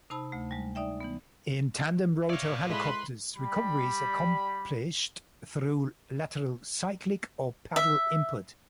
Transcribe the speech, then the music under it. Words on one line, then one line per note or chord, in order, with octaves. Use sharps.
In tandem-rotor helicopters, recovery is accomplished through lateral cyclic or pedal input.
C3 D#4 C5 A5 B5 E6
D2 A3
G3 G#3
D#4 D5 E5 G5
E3 B3
C#5 D5 E5 F5
G#3 E4 A4 B4 B5 C6
G3 B5
E5